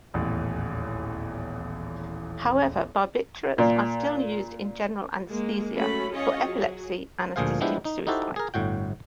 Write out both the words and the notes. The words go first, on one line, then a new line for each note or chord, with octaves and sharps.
However, barbiturates are still used in general anesthesia, for epilepsy, and assisted suicide.
D#1 A1 E2
A#2
G#3 A#3
F#3 A3 C#4 A4 B5
C#4 F4 G#4 C#5 D#5
F#3 G#4
D2 A#2 F3 G#4 C5 F5
F3 G#3 B3 D4 E4 G4
D#4
D#4 E4 F#4 G4 A4 C5
G#4 A#4
G1 A2 F#4 G5